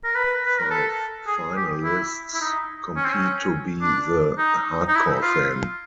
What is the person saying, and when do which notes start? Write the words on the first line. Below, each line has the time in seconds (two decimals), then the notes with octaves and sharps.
Five finalists compete to be the "hard-core fan".
0.04 A#4
0.15 B4
0.45 B4
0.59 A#4
0.71 A4
1.27 G#4
1.56 G4
1.84 E4
2.34 E4
2.41 D#4
2.97 C#4
3.05 C4
3.13 C#4
3.81 D4
4.38 D#4
4.88 D#4
4.95 E4
5.23 F4